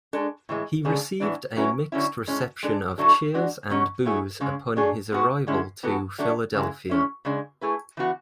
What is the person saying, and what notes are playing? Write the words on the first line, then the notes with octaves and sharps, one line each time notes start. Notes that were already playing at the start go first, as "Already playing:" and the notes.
He received a mixed reception of cheers and boos upon his return to Philadelphia.
G#3 D4 A4
A2 E3 G#3
C#3 G#3 D4 G#4
A2 E3 B3 D4
F#3 C#4 E4 B4
D3 F#3 C#4 E4
A2 G#3 C#4
G#3 D4 A4
A2 F#3 A3 D4 A4
G#3 D4 F#4
B2 F#3 C#4
F#3 A3 E4 G#4
C#3 G#3 C#4
F#3 A3 D4 G#4
G#3 B3 F#4 B4
D3 G#3 C#4 E4
E3 B3 F#4 A4
F#3 A3 D4
C#3 E3 G#3
G#3 C#4 E4
C#3 G#3 D4
A3 E4 G#4 B4
E3 B3 F#4